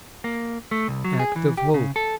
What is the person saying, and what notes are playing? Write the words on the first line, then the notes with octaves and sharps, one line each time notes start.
Act of Hope.
A#3
A3
C2
F#3
G#4
E3
G4
C#3
A4